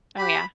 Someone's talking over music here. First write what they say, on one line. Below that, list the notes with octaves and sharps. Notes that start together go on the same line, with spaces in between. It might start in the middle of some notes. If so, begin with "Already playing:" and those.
Oh, yeah.
G4 B5